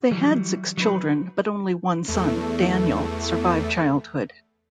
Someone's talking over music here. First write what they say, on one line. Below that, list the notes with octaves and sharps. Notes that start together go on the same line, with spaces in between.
They had six children, but only one son, Daniel, survived childhood.
E3 F#3 G3
F#3 D#4 B4
E2 A3